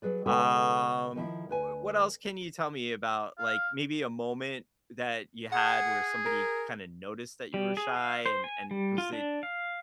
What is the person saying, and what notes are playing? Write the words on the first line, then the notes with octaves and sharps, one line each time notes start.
Um, w what else can you tell me about, like, maybe a moment that you had where somebody kinda noticed that you were shy, and and was it
F#3 G#4 B4 D5
C#3 G#3 A4 B4 C#5 G5
D#3 F3 E4
D2 B4 G#5
F5
G#4 F#5
A#4
G3
G#4
F5
C5
G#5
G3
F4
D4
F5